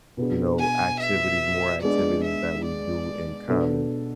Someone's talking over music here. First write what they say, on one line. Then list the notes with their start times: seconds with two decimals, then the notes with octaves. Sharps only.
you know, activities more activities that we do in common,
0.17 B2 B3 D4 G#4
0.59 G#5
1.00 E5
1.82 G#3 B3 D4 G#4 D5
2.24 E5
2.65 D5
3.48 B2 B3 D4 A4